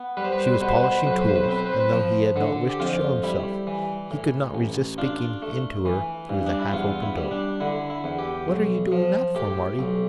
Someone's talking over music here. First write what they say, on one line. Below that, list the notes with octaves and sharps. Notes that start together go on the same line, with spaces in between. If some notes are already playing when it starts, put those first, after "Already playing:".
She was polishing tools, and though he had not wished to show himself, he could not resist speaking in to her through the half-open door. "What are you doing that for, Marty?"
Already playing: B3
G3 B4
C5
B4
C5
B4
C5
B2 B4
C5
B4
C5
B4
C5
B1 B4
C5
B4
C5
B4
C5
C4 B4
C5
B4
C5
B4
F3
D3 A4
G4
F2 F4
G3 E4
E3
A2
A1
D4 F4
A3
E3
G2
D4
E4
E2 F4
E4
G3
D4
D3 E4
E4
E2
G4
B1
F3
A2 G4
B1